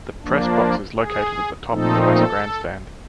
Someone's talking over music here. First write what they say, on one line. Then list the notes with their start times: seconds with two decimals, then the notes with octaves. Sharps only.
The press box is located at the top of the west grandstand.
0.23 F3 A#3 D4
0.97 G#4
1.72 A#2 F3 A3 C4 D#4 A4
2.09 A4